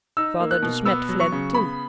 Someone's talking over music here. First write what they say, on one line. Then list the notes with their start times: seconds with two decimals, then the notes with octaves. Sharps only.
Father De Smet fled, too.
0.17 D#4 E6
0.40 A#3
0.51 F#6
0.63 B2
0.85 B3 E6
1.09 F#3
1.20 C#6
1.32 C#3
1.54 B3 B5